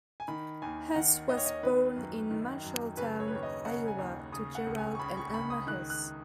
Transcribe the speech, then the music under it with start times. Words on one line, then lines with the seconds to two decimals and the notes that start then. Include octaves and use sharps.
Huss was born in Marshalltown, Iowa, to Gerald and Elma Huss.
0.20 G#5
0.28 D#3 B5
0.62 D#2 G#5
0.95 D#3 F#5
1.29 D#2 D#5
1.37 C#5
1.46 D#5
1.63 D#3 B4
1.97 F#2
2.31 D#3
2.64 F#2
2.97 C#3 B4
3.20 C#5
3.28 B4
3.31 D#2 C#5
3.43 D#5
3.65 C#3 F#5
3.88 G#5
3.98 D#2
4.32 C#3 D#6
4.55 F#5
4.67 C#2
4.78 G#5
4.95 C#6
4.99 C#3 B5
5.17 C#6
5.28 C#6
5.34 C#2 B5
5.50 D#6
5.67 D#3 F#6
5.90 F#6